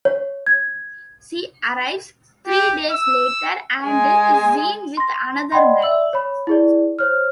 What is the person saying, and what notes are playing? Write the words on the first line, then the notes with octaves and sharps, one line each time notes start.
She arrives "three days later" and is seen with another man.
C#5
G#6
G4
E6
G#3 G#5
C6 A#6
D5 D#5 F#5 G5 B5 C6
D5 E5 E6 F#7
C#5 B5
E4 G#4 D5
C5 C#5 F6